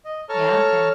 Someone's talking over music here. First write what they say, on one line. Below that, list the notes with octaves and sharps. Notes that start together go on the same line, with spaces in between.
Yeah, and
D#5
A4 C#5 A5 A#5 C#6 F6